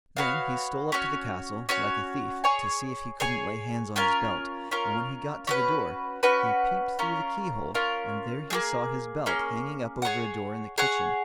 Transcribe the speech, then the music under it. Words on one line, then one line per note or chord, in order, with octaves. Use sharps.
Then he stole up to the castle, like a thief, to see if he couldn't lay hands on his belt; and when he got to the door, he peeped through the keyhole, and there he saw his belt hanging up over a door in the kitchen.
B3 F#4 C#5 F5
C#4 F#4 C#5
C#4 F#4 C#5
G#4 C#5 G#5
G#4 C#5 G#5
C#4 F4 A#4
C#4 F4 A#4
C#4 F#4 B4
C#4 F#4 B4
C#4 F4 A#4
C#4 F4 A#4
A#3 C#4 G#4
A#3 C#4 G#4
G#4 C#5 F#5
G#4 C#5 F#5